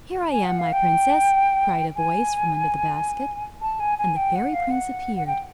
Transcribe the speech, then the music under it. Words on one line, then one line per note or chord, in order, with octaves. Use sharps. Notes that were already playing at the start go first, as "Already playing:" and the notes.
"Here I am, my princess," cried a voice from under the basket; and the fairy-prince appeared.
G#5
F#5
F5
G5
G#5
A5
G#5
G#5
G5
F#5
F5
F#5
F#5
G5